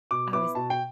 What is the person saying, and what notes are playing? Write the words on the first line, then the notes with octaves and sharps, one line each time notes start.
I was
B2 D6
B3 E4 D6
B2 A5
G5